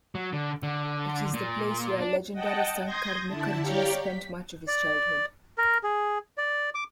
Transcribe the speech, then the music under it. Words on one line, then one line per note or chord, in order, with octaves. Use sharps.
It is the place where legendary Sankar Mukherjee spent much of his childhood.
F#3
D3
D3
A#2
D4
D#5 F#5 G5 A5
C6 D#6 G6 G#6 A#6
D3 E4 A5
G4 C#5 D5 F5 G5 A#5
B6
D5
A#4
G#4
D5
D6